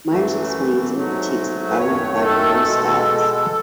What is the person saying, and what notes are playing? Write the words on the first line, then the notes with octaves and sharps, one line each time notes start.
Myers explains and critiques the following five prose styles.
F#2 E3 A3
G#2 F#3 A3
B4
F#2 D#3 A3 C#5
A4
B2 G#3